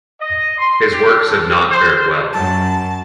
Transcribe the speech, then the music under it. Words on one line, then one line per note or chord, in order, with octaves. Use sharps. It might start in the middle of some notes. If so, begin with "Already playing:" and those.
His works have not fared well.
D#5
C6
G4
A4
C5
F#2 F#3 A5